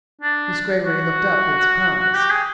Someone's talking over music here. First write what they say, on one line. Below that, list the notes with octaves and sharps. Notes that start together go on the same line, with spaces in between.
Miss Greggory looked up in surprise.
D4
F#4
G4
G#4